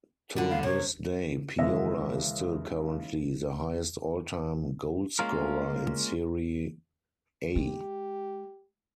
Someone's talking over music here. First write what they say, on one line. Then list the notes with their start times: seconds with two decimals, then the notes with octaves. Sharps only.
To this day, Piola is still currently the highest all-time goalscorer in Serie A.
0.36 D3 G3 F4
0.49 F5
0.63 C3 C#5
1.59 D#2 C#3 E3 G#3 E5 A#6
5.19 G#3 A#3 C#4 F4 A#4
7.56 G#3 G4